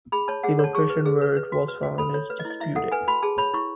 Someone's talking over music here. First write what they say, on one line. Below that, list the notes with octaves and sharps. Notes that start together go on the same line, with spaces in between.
The location where it was found is disputed.
G#4 B5
C#5 A5
G#4 F#5
C#5 A5
G#4 C#6
B4
G#4
B4
B4
F#4
B4
F#4
A4 B5
C#5
B4
D#5
E4
D#5
E4 E5
A4 F#5
B4 G#5
F#4 B5
G#4 A5
C#5 B5
E4 C#6